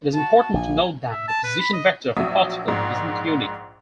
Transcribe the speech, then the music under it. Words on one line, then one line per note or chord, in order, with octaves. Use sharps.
It is important to note that the position vector of a particle isn't unique.
F#4 A5
A#1 G#5
E5
A5
B4
B5
D#5
A#1 F#3 E5 D#6
A#1 G#2